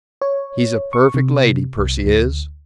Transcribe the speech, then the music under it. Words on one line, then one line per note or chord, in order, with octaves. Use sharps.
He's a perfect lady, Percy is.
C#5
C#6
C3
C2
D2